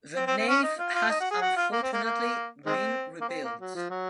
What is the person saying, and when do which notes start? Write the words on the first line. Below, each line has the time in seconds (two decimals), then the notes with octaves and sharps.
The nave has unfortunately been rebuilt.
0.16 C4
0.27 C4
0.38 C4
0.48 C#4
0.63 D#4
0.79 F4
0.94 F4
1.10 D#4
1.20 F#4
1.31 G#4
1.41 F#4
1.56 F4
1.72 A#3
1.83 C4
1.93 A#3
2.03 A#3
2.66 D#3 G#3 C4
3.21 A#3
3.28 C4
3.44 A#3
3.60 F#3
3.75 F3
3.90 F#3